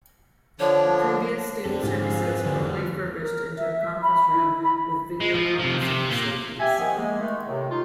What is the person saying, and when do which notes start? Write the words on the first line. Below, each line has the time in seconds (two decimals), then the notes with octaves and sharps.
The previous Student Services were refurbished into a Conference room with video conferencing facilities.
0.60 D3 F3 D4 C#5
1.65 F2 C4 D4 G4 A4
1.83 G#2 D3 E4 F4 G#4
2.04 F5
2.26 A#4 B4
2.46 D3 F3 G3
2.73 F6
3.20 A#4
3.58 E5
4.02 B5
4.33 E4
4.64 B5
5.20 G#3
5.34 F3
5.59 C3 F3
5.82 C3
6.10 A#3 F4
6.60 G4 E5 G#5
6.79 D#3 F3 B3
6.97 G#3 A#3
7.20 D#3 G#3 A3
7.47 A2 C3 D#3
7.71 D#4 F4